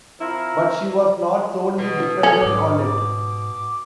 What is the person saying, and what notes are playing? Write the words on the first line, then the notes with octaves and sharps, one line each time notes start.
But she was not solely dependent on it.
F3 C4 E4 A#4
B2
C#4 A4
G#2 D6